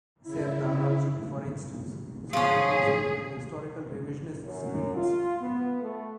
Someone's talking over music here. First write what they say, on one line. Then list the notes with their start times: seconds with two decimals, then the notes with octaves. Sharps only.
Serdar Argic, for instance, spammed Usenet with historical revisionist screeds.
0.23 C#3 E4
2.33 F3 C#4 G#4
4.44 F#2
4.96 F4
5.40 B3
5.82 A3